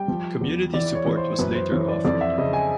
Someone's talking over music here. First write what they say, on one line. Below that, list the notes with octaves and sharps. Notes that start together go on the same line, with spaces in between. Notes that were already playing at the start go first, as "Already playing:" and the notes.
Community support was later offered.
Already playing: G3 G5
F3
E2
E3 D5
C#5
E3
C5
F#2 B4
C5
E3 C#5
D5
F2 D5
E5
C#3 D#5
G#5